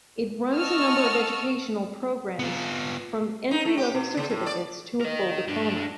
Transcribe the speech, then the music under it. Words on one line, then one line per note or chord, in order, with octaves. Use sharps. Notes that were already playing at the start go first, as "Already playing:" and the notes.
It runs a number of educational programmes, from entry-level certificates to a full diploma.
D#5 F#5 A5 C#6 E6 F6
B3 F4
D#4
A3
G4
B2
C#3
A2
D5
A#4 D#5
G3 D4